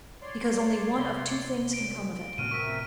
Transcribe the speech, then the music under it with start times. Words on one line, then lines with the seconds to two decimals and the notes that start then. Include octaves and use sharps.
"Because only one of two things can come of it."
0.22 C#5 D5 C6
0.98 C3 G7
1.74 A#2 F#3 D7
2.38 A2 C3 B3 F#4 F6 D#7
2.51 C4 A#4 E5 C#6 B6